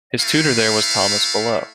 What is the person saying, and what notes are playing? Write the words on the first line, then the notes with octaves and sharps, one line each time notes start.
His tutor there was Thomas Balogh.
A3 E4 F5